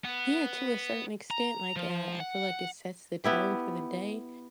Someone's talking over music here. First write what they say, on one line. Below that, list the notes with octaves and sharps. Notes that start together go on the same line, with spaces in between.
Yeah, to a certain extent, like, uh, I feel like it sets the tone for the day,
B3
A#5
F3
F#5
B3 E4 G4